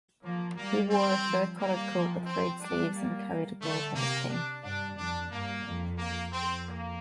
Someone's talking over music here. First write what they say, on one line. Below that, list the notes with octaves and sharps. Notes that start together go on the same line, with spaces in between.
He wore a fur-collared coat with frayed sleeves and carried a gold-headed cane.
F3 A#3
G3 A#3
C4
F3
G3 A#3
F3
C4
G3 D4
A#3
D3 A3
C3 A#3
D4
G2 D4
F2 D4
G2 A#3
F2
A#3
F2 C4
A#3